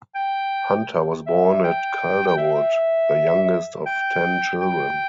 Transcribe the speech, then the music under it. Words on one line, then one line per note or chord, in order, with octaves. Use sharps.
Hunter was born at Calderwood, the youngest of ten children.
G5
E5
G5
G5
E5
G5
G5